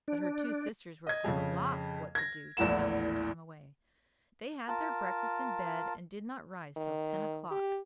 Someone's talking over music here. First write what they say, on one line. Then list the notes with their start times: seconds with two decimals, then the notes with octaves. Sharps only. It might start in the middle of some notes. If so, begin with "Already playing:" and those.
But her two sisters were at a loss what to do to pass the time away: they had their breakfast in bed, and did not rise till ten o'clock.
0.08 D4
1.07 D#5 G#6
1.24 F2 C#3
2.15 G#6 A#6
2.57 A#1 E2 A2 E4 F#5 E7
4.68 F4 A#4 A5
6.77 D#3
7.51 G4